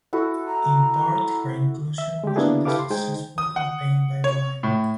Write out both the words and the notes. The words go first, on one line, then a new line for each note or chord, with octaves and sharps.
In part her inclusion was at the successful campaign by Wild.
E4 F#4 A4
A#5
E5
G#3 G4
A#3 B3 D4 E4 F#4 G#4
E4 G4 A4 B4 F5 D6
C6
G#3 D#4 G#4 C5 G5
D#6
F#5
C#5
A2